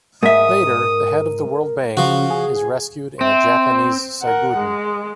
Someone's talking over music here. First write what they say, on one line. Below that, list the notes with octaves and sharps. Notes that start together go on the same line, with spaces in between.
Later, the head of the World Bank is rescued in a Japanese saiguden.
G#2 A#4 E5 D#6
C#3 F3 F#4
G#4
C4 C5 E5
A#4 F#5
G#3